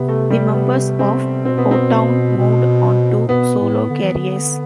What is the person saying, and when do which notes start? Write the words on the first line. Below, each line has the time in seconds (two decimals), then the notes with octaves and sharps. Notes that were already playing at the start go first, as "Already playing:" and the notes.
The members of O-Town moved on to solo careers.
Already playing: C3 B3
0.08 A3
0.30 G3
0.54 B3
0.99 C4
1.45 B2 C4
1.58 B3
1.71 C4
2.37 B2
3.29 B2 B3
3.60 A2
3.90 D3
4.02 E3
4.13 D3